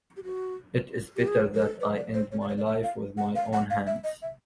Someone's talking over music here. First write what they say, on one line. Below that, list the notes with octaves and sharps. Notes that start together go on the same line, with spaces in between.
It is better that I end my life with my own hands.
G4
F#4
G4
G#4
A#4
A4
B4
D5
C5
C#5
D5
C#5
D5
E5
F5
F#5
F5
F#5
F5
E5
D#5
E5